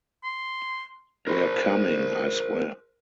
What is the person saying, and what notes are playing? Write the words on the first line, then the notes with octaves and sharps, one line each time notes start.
We're coming, I swear.
C6
A#4 C5